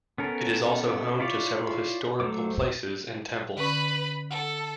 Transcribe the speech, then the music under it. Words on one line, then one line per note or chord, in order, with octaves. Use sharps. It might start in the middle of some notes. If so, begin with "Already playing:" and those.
It is also home to several historical places and temples.
B3 C#4 A4 A#4
E4 F4 C#5 D5
F#3 A3 C5 D6
D3 C#4 B4 B5
A4 F#5